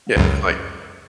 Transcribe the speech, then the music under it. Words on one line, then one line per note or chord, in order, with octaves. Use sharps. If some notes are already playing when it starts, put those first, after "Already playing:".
Yeah, like
C#2 F#2